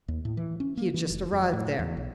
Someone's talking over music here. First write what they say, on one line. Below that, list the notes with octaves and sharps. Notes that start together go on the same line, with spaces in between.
He had just arrived there.
D#2
A2
E3
C#4
A#3
E3
F1
F2
A2
E2
B1